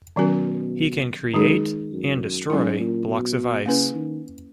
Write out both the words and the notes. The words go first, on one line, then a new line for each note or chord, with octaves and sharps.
He can create and destroy blocks of ice.
B2 D#3 F#3 C#4 F#4 A#4
F#2 D#3 G#3 D#4 G#4
F#2
G#2 F#3 C#4 E4
A#2
B2
C#3 A#3 C#4 E4 B4
D#3